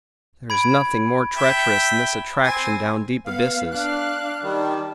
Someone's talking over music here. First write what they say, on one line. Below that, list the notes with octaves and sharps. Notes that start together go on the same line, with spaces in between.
There is nothing more treacherous than this attraction down deep abysses.
B5 G#6 D7
E5 G5
C4 G#5
B3 F5
D4 F5 F#6
D#3 G3 A5